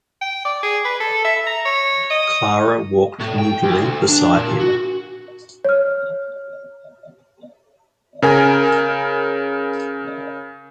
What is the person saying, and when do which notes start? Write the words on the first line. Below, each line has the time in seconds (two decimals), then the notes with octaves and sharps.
Clara walked moodily beside him.
0.22 G5
0.45 D5
0.63 G#4
0.85 B4
1.00 A4
1.25 E5
1.47 A#5
1.66 C#5
2.11 D#5
3.20 A2
3.39 G5
3.63 D2
4.09 D4
4.35 A#2
4.60 F#4
5.65 C#5 F6
8.22 C#3 A#4 G#5